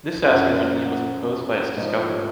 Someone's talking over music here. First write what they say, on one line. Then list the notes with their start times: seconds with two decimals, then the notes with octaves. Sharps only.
This asteroid’s name was proposed by its discoverer.
0.25 F#2 F3 F#5
1.77 G#2 F3